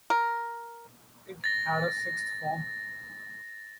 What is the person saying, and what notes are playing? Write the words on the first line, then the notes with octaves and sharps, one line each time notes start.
It had a sixth form.
A#4
A6 A#6